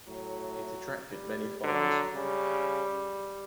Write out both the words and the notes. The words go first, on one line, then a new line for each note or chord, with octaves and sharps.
It attracted many farmers.
A2 F#3
G3
D3 F#3
C#3 G3